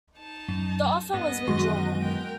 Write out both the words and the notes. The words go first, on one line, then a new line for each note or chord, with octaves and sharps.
The offer was withdrawn.
D#4 A5
F#2
G2 B3 D#5
F#2 D#3 E3 G#3 F#4 A#6
A#4 G5